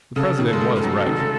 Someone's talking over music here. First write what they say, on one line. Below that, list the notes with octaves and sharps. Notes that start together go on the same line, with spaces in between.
The president was right.
C#3 A4
D#3
A4
G#3
A3
B4
F#3 A4
D#3
C#3